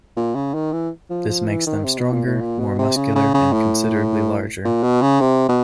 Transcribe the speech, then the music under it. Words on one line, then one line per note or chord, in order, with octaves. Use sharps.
This makes them stronger, more muscular and considerably larger.
A#2
C#3
D#3
E3
F3
F3
E3
D#3
C3
B2
A#2
A2
A#2
B2
C3
C#3
C#3
C#3
A2
A#2
B2
C#3
C3
B2